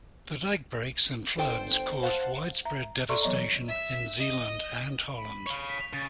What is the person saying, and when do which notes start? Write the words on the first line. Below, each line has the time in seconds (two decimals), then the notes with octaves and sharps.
The dike breaks and floods caused widespread devastation in Zeeland and Holland.
1.37 G1 A4 C5 G5 D7
2.03 C5 F5 F#5 A5
2.65 E5 A#5
3.09 A4 D5 E5 A#5 C6 C#6
3.22 E3 F#3 B3 C#5 D#5 A#5
3.68 E5
4.19 D#5
5.17 B5
5.47 C#5 F5
5.69 B6
5.93 C#3 A6